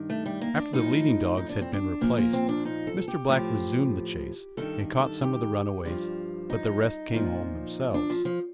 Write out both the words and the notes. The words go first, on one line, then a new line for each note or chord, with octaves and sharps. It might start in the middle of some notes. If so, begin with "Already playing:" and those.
After the leading dogs had been replaced, Mr. Black resumed the chase, and caught some of the runaways, but the rest came home themselves.
Already playing: G2 D#3
A3
G3
A#3
D4
A2 F3 D#4
D#4
D4
C4
D4
A#2 F3 A#3
A#3
C4
D4
D#4
A4
G4
A2 F3 G4
G2 D#3 A4
A4
G4
G2 F3
D#4
A#2 F3
D4
F3
F3